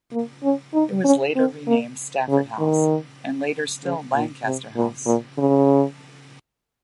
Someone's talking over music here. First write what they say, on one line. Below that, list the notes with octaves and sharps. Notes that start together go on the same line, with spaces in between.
It was later renamed Stafford House, and later still Lancaster House.
A#3
C#4
D#4
C#4
C4
A#3
C#3
D#3
C#3
A#2
C3
A#2
A#2
C#3